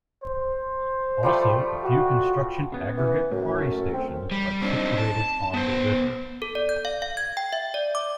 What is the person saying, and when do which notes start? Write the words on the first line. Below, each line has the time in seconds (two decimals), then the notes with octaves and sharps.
Also a few construction aggregate quarries stations are situated on the river.
0.23 C5
1.23 F3 G3 A3
1.84 F#4
2.72 C#3 B3 C#4
2.98 E3
3.31 F#2 A2
3.58 A3 C#4
3.94 C4
4.31 G3
4.62 C4 D4 D#4
4.98 A5
5.54 B3 C5
6.42 A4
6.55 D5
6.69 G6
6.85 F5
7.02 F5
7.17 G#6
7.37 G5
7.53 E5
7.74 D5
7.95 D6